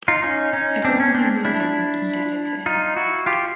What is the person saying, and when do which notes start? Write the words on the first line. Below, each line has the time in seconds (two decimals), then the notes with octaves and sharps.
Everyone who knew him was indebted to him.
0.08 D#4 F4
0.23 C#4 D#4
0.53 C#4 D#4
0.85 C4 D4
1.00 C#4
1.15 C4 D4
1.45 D4 E4
2.66 D#4 F4
2.97 E4 F#4
3.26 F4 G4